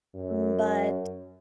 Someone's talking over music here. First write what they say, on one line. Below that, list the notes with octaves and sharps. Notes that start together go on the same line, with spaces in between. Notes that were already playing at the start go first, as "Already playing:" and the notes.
Mm, but
F#2